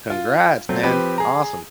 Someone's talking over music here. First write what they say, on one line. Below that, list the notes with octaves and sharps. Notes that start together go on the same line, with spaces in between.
Congrats, man. Awesome.
F4
F#3 A3 C4
F3 C4 G4 B4
G#4 A#5